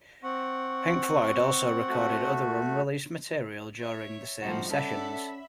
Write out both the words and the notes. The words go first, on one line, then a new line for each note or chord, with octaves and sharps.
Pink Floyd also recorded other unreleased material during the same sessions.
C4 F#5 C#6
A3 F#4
C#5 E5
C2 A2 F3 D#4 F#4 C5
C#4 A4 D5 E5 F#5 B5 B6